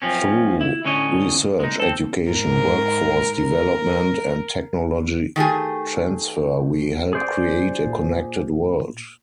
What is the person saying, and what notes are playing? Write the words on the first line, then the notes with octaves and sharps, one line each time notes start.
Through research, education, workforce development and technology transfer, we help create a connected world.
F#2 F3 C4 C#4
E4
A2 D3 C#4 C#5 D#5
G#3 D#4
C4 A4
G#2 A#4
A#4
D#3 A3 G4 G#4
G#4 C5 D5
A#2